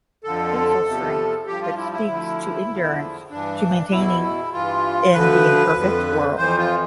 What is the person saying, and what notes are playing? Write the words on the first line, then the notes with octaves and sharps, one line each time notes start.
Tensile strength, that speaks to endurance, to maintaining in the imperfect world.
F2 D3 F3 A4
E2 C3 F3
G2 F3 G4
F4
E4
E4
D2 D3 F3
E2 D3 F3
G2 E3 D4
E2 B2 E4
E4
G2 E3 F4
D2 D3 F3 B4
F2 D3 F3
F2 E3 C5
F4